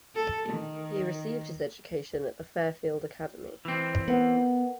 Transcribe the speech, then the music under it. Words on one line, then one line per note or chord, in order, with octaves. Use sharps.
He received his education at the Fairfield Academy.
A4
D#3
E3 C4
B3 A#4 B4 F#5